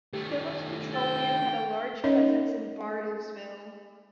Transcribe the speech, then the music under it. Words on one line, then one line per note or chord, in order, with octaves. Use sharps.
Phillips Petroleum had a large presence in Bartlesville.
D#3 A3 G4
G5 E6 A6
C#4 D#4 A#4 C#5 D#5 E5